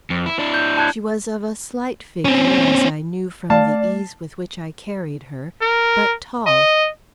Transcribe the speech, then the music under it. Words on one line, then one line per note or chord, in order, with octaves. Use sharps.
She was of a slight figure as I knew from the ease with which I carried her, but tall.
F2
E4
D4 E4
G6
A5 F#6 G#6
C4 C#4
A3 D5 F5 A5
A#4
D#5